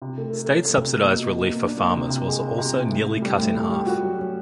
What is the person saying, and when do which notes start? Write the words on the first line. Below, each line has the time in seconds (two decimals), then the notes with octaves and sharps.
State subsidized relief for farmers was also nearly cut in half.
0.02 C3
0.18 A3
0.33 A3
0.50 C#4
0.65 A3
0.81 C3
0.98 A#3
1.14 B2
1.29 B2
1.46 A#3
1.62 D4
1.78 A#3
1.93 C3
2.10 C3
2.26 G#3
2.42 C3
2.58 C3
2.74 C3
2.89 A2
3.07 A2
3.22 G3
3.38 A2
3.53 A2
3.70 G3
3.86 F#4
4.03 F#3
4.18 C#4